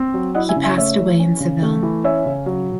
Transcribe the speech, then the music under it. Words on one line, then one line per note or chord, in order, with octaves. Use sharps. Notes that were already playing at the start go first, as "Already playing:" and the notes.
He passed away in Seville.
Already playing: C4
F#3
E4 D#5 F#5
E5 G#5
C#3
E5 G#5
A3 C#5 E5
E3
C#4
C#3
A3
E3
C#4 C#5 E5
C#3
F#3